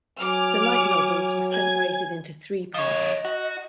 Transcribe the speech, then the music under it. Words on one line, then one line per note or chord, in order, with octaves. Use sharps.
The light novels were separated into three parts.
F#3 G#5 D6 F6
G#5 G#6
F3 C#5 D#5
F#4